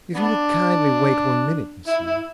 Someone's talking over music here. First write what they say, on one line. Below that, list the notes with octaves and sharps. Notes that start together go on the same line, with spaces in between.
'If you will kindly wait one minute, Miss Yule.
B3 D4
E4
E4